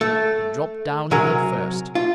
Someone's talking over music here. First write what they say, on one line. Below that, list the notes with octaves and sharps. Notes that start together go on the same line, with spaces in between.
He dropped down head first.
A3
C3 F#3 G#4 A#4
F4